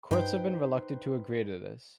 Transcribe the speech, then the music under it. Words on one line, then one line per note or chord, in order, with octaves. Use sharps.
Courts have been reluctant to agree to this.
G2 D#4 B4 C5 G5